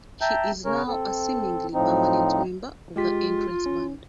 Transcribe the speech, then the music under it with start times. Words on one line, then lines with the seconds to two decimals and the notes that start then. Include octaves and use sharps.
She is now a seemingly permanent member of the Entrance Band.
0.21 E5 G5 A5 A#5 G6
0.65 C#3 C#4 A#4 C#5
0.87 C4 A4
1.74 A2 F3 C4 D#4
2.96 G#3 F4 G4 B6
3.66 C#4